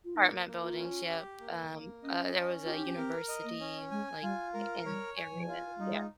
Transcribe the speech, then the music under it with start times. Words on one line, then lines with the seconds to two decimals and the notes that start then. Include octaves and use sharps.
Apartment buildings, yep, um, uh, there was a university, like, i in area. Yeah.
0.05 F4
0.15 A#3 D#4
0.47 A#3
0.62 F4
0.78 C#4
1.09 G4
1.41 A#3
1.72 A#3
2.03 C#4 D#5
2.35 C#4
2.64 F4 G4
2.74 D#4
2.85 C#4
2.97 C4 A#4
3.29 D#5
3.44 A#3
3.60 C#4
3.91 G#3 G#5
4.22 G3 F4
4.54 G#3 A#4
4.85 G3 C#5
5.17 G#5
5.33 F3
5.48 F4
5.79 G3 D#4
5.92 G#3